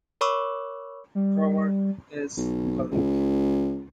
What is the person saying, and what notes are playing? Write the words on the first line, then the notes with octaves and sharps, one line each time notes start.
Robert S. Guelich.
A#4 C#5 B5 C#6 D6 E6
G3
B1
C#2